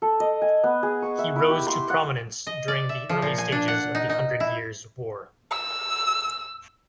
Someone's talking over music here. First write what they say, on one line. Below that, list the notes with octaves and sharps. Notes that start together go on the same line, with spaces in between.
He rose to prominence during the early stages of the Hundred Years' War.
A4
D#5
G#5
B3
G#4
C#6
E5
E4
G4
C6
F#5
D#5
D5
E5
F3
A#2
G#5
D4
F#5
D#4
D#4
E4
E6